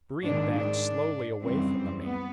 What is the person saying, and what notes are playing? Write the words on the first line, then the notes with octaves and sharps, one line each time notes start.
Brion backed slowly away from the man.
G#2 D#3 G#3 D4
D4
F#2 C#3 E3 G3 C4
B3